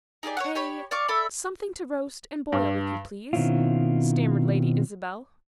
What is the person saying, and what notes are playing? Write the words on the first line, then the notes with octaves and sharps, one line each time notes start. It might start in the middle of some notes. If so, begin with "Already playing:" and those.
"A----Something to roast and boil, if you please," stammered Lady Isabel.
D#4 G4 G#4 D5
C#5 F5 F#5
G4 C#5 B5
D5 F5 C#6 D6
A4 D5 E5 B5
G2
B2 D#3 C4 C#4 E4 F4